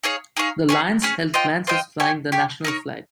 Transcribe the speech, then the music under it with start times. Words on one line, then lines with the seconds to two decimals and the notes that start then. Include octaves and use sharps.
The lions held lances flying the national flag.
0.03 D#4 G#4 C#5 F5
0.37 D#4 G#4 C#5 F5
0.69 C#4 G#4 C#5
1.02 C#4 G#4 C#5
1.34 F4 C5 D#5 G5
1.67 F4 C5 D#5 G5
2.00 G4 C#5 G#5
2.32 G4 C#5 G#5
2.64 D#4 A#4 C#5